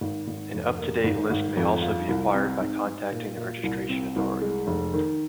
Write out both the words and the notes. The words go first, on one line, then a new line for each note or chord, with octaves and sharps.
An up-to-date list may also be acquired by contacting the registration authority.
G#1
G#1
F1
A#3
G#1
G#1
F2
F4
C2
C4
G#2
G#2
A#2
A#2
C2
C4
C2
G#3
F1
D#3